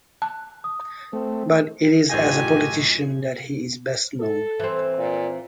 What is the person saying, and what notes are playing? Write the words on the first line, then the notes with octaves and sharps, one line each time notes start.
But it is as a politician that he is best known.
A5 F#6
D#6
A3 C4
A1 F#2 D#4 F4 G4 G#5 G6 A#6
A4
E3 C4
A#2